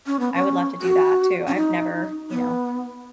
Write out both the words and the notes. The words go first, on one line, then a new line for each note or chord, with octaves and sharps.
I would love to do that too. I've never, you know
C#4
B3
C#4
F#4
C#4
D#4
B3